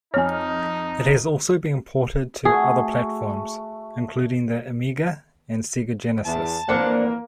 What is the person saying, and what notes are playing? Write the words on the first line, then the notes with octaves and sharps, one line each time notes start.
It has also been ported to other platforms, including the Amiga and Sega Genesis.
F2 D#4 C#5 G#5 F6
A3 F#4 G#4
E2 A5
F2 E3 A#3 D4 A#4 C5 F#5